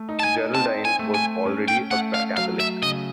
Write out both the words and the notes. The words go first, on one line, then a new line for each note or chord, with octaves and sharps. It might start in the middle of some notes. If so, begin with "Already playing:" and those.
Geraldine was already a Catholic.
Already playing: A3
D#4
A5
G#5
C4 A5
G#5
A3
G#5
C#4
G5
A3 F#5
F5
F#3 F5
E5
C#3 D#5